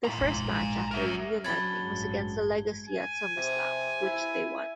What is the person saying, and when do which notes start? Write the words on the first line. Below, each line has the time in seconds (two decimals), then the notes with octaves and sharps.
Their first match after reuniting was against The Legacy at SummerSlam, which they won.
0.05 A#5 C6
0.18 A#1 G#2
0.91 A#4 E5
1.44 F#3 C#4 D4 B5 G#6 A#6 G7
1.81 A1 G2 G#3
2.88 G#5
3.37 C3
4.02 E4